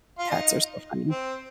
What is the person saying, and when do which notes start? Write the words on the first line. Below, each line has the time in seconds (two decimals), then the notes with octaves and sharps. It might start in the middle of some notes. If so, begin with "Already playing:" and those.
Cats are so funny.
0.19 F4
0.30 D#4
1.11 C4